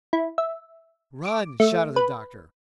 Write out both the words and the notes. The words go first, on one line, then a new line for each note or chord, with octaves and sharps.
"Run!" shouted the doctor.
E4
E5
D6
A3
B4